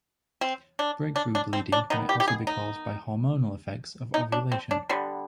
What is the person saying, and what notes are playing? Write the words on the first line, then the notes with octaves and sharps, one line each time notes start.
Breakthrough bleeding may also be caused by hormonal effects of ovulation.
C4
D4
D4
D4
C4
D4
D#3 B3 D#4
G4
G4
G#4
D#4
D#4
D4
C4
D4
D3 G3 B3 C4